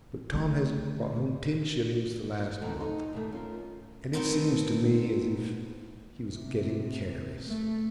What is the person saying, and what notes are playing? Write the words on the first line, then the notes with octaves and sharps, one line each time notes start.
But Tom hasn't brought home ten shillings the last month, and it seems to me as if he was getting careless.
D3 A3
B2 D#3 A3 F#4
D#4 A4
D#2 B2 A3
C#4 F4 A#4
A3 B3 C4 D#4 A#4
C3
A3